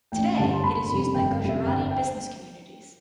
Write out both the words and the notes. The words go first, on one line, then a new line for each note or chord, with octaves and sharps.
Today it is used by Gujarati business communities.
A1 G5
G2 D3 A5
C6
G1 B5
F2 C3 G3
G1 G5
F5
F2 C3 G3
E5
G1 G5
G5